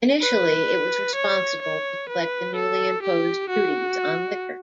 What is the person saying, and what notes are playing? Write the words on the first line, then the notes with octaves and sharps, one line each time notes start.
Initially it was responsible to collect the newly imposed duties on liquor.
B4
C#5
C#5
B4
A4
G4
F#4